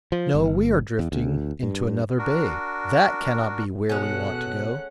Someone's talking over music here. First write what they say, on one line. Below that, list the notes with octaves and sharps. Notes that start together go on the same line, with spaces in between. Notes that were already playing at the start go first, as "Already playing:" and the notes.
"No, we are drifting into another bay; that cannot be where we want to go."
F3
G1
E2
D2
G2
D4 F#4 A#4
B2 G#3 C#4 A4 F#5 F#6